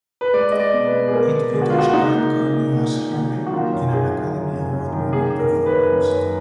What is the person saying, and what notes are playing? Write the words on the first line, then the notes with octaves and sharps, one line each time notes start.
It features Art Carney as Harry in an Academy Award-winning performance.
B4
G#3 D5
G#3 D#5
D5
B2
B4
B2
G#4
G#3 A#4
B2
G#3 G#4
F#4
G#3 F4
F#4
A#3 D#4
A#3
A#2
A#2
A#3
A#2
A#2
F#3
F#4
D#3 F4
F#2
F#2 G#4
F#2
D#3
F#2
F#2
D#3
A#3 G#4
F#2
A#4
D#3
B4
F#2
F#2
F#2